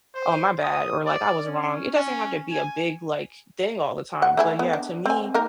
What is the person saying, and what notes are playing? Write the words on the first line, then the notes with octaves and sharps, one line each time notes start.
"Oh, my bad," or, like, "I was wrong." It doesn't have to be a big, like, thing all the time, but yeah, to me,
C5
D#6
D5
C#4
C#4
G#5
F#5
A3 E4 G#4
B3
D4
C4 G#5
A#3 D#4 A#4